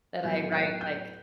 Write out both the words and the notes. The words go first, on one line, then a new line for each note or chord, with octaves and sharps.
that I write, like,
A2 F#3 B3 E4 G6
F#6
G6